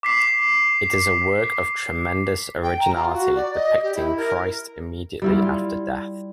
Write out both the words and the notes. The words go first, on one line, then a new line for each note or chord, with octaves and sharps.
It is a work of tremendous originality, depicting Christ immediately after death.
D6 B6 C7
G5
A#5
F4
F#4
D5
D#5
G4
E4
A#4
G3 E4 F4